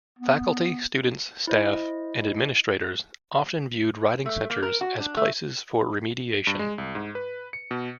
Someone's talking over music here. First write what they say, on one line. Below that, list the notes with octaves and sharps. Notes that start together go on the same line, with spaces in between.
Faculty, students, staff, and administrators often viewed writing centers as places for remediation.
B3
E4 C5 D#5
A3
A#3
A#4
F#4
D4
A3
G2
G#3
C2
G#2
B4
C#7
B2